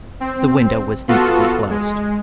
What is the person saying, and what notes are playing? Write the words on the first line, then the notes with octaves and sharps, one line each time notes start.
The window was instantly closed.
C4
B3 F4 F#4 A4
G#3